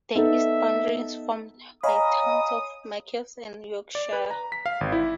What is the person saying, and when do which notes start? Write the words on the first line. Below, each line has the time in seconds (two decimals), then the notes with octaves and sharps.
The east boundary is formed by the towns of Machias and Yorkshire.
0.15 B3 D#4 A4 E5
1.83 C#5 D#5 F5 G#5 A#5 B5 D#6
3.95 D5
4.13 B4
4.30 A#5
4.52 B6
4.66 F5
4.81 G#1
4.92 E4